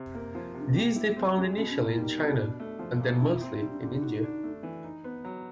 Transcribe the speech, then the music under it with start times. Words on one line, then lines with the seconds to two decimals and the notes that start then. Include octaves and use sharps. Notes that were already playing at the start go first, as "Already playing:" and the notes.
This they found initially in China and then mostly in India.
Already playing: C3
0.15 A#3
0.35 F3
0.54 C3
0.59 D4
0.68 C#4
0.76 C4 G4
0.87 A#3
0.96 B3 E4
1.08 A#3
1.16 B3 C4
1.36 G#3 C#4
1.57 B2 C#4
1.70 C#4
1.78 A#3 D4
1.91 E4
1.98 G3 D#4
2.18 B2
2.38 D4
2.60 A3
2.79 F3
3.00 A#2
3.20 D4 E4
3.41 C4
3.61 G3 D#4
3.72 D4
3.82 D3 C#4
3.94 D4
4.02 D#4 F#4
4.23 D4
4.44 A3
4.63 E3
4.84 D#4
5.04 B3
5.25 F#3